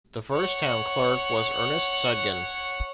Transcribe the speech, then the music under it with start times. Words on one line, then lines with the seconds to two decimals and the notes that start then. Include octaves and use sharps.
The first Town Clerk was Ernest Sudgen.
0.33 C#5 F#5